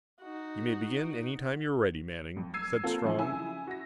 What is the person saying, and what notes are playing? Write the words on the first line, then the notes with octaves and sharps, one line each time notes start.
"You may begin any time you are ready, Manning," said Strong.
D#4 F#4
F2
E6 G#6 C7 D#7
A#3 C4 F4 A4
A1 F3 G#5
C#3 E4 E5 G#5 E6
F#4 A#6